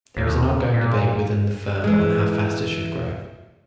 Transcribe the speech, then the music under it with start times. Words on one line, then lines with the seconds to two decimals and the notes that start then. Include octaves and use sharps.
There is an ongoing debate within the firm on how fast it should grow.
0.17 D#2
0.74 A#2
1.84 E3 G#3